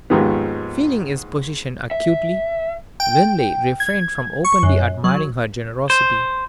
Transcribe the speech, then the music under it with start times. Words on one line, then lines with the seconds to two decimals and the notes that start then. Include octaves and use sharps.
Feeling his position acutely, Linley refrained from openly admiring her generosity.
0.10 D#2 G#2 D#3 F3 B3
1.91 E5
3.00 G5
3.80 G#6
4.45 C#6
4.63 F#2
5.04 F#3
5.90 C5